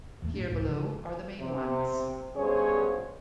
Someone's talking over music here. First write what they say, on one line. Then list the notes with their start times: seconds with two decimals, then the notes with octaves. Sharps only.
Here below are the main ones.
0.22 D1 E2 F3 A3
0.34 A2 A3 D4
0.49 C2 G#2
0.69 C#3 F3
1.40 C3
2.36 G2 B2 C#4 G#4 C5 C#5